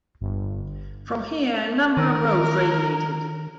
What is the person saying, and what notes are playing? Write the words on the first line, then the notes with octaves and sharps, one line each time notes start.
From here a number of roads radiated.
G1
D#3 A#4